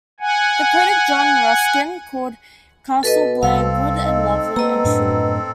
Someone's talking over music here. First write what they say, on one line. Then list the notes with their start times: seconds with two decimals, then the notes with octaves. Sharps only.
The critic John Ruskin called "Castle Blair" "good, and lovely, and true".
0.20 F#5 G#5
3.03 B2 A4 B4 D#5
3.43 C2 C4 A4 F5
4.05 D#4
4.56 A#3 B3 D#5 A#5
4.84 F#2 A2 D4